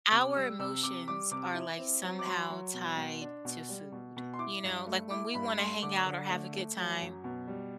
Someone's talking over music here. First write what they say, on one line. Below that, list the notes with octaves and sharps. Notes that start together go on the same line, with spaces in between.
our emotions are like, somehow tied to food, you know, like when we wanna hang out or have a good time
C3 D6
G3 E6
C3 E6
C3 D6
G3 D6
C3 D6
E4
C4
F#3
D6
F#3 C6
F#3
B2
B2
D4
B2
G3
B2
B2
C6
E4 D6
G2
A3
E4 D6
G2 B5
A3 C6
D3 D6
D3
A3
A3
F#3
F#2
B2
G3